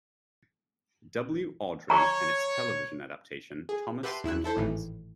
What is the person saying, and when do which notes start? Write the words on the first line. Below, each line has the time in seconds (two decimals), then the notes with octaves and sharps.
W. Awdry and its television adaptation, "Thomas and Friends".
1.90 C#5 A#5 C#6
3.69 G#4
4.03 G4 B4 E5 F#5 A5 C6
4.24 E2 E4 E6 F#6
4.44 E4 A4 C5
4.57 G#1 A2 E3